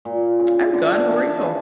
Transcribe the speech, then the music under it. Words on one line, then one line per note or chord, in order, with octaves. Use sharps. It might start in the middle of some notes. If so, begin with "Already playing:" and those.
I'm good, how are you?
A#2
C#3
D3
E3
C#3